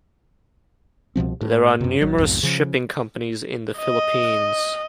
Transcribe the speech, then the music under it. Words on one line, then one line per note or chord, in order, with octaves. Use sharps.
There are numerous shipping companies in the Philippines.
C2 B2 F3 C4
A2
F#2 C3
A1 F#3
B1 F2 G#2
C#3 F3
D#5